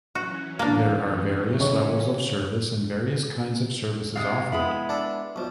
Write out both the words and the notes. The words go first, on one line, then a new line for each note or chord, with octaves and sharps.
There are various levels of service and various kinds of services offered.
E3 F#3 C#4 F#4 F#6
A#3 D4
C#3 C#5 C#6
C3 G3 G#3 F5
G#3 B3 E4 B5
D4 A4
B1 F3